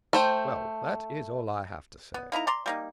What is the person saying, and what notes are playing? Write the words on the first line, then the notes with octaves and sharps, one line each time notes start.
Well, that is all I have to say.
A3 C5 G5
B3
A#3 D#4 E4 A#5
D5 A#5 C6
G3 A#3 D#4